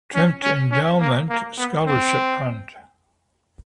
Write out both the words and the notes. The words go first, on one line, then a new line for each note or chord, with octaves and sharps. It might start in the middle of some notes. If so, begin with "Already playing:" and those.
Trimpe Endowment Scholarship Fund.
C#4
C#4
C#4
A#3
A#3
B3
C4